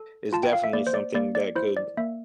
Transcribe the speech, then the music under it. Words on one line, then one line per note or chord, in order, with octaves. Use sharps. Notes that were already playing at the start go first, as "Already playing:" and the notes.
is definitely something that could,
Already playing: A4
F4 A5
G5
F5
E5
A#3 D5
C5
D5
A#3 D5
D5
E4 C5
D5
A#3 E5